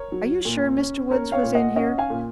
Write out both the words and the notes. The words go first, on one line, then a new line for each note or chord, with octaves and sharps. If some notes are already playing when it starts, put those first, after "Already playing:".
"Are you sure Mr. Woods was in here?"
Already playing: A#4 C#5
F#3
A#2
C#4
C#4 A#4 C#5
C#5 F5
A#2
D#5 F#5
C#4 D#5 F#5
F5 G#5
A#2